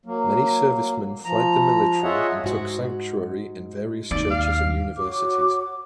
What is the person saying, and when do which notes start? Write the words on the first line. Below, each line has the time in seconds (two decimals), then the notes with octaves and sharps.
Many servicemen fled the military and took sanctuary in various churches and universities.
0.06 F#3 A#3
1.25 F3 A#5
2.03 F4 G#4 C#5 D#5 E5 F#5
2.44 G#2 F#4
4.11 D#2 D5
4.31 F5
4.99 F#4 C#5 D6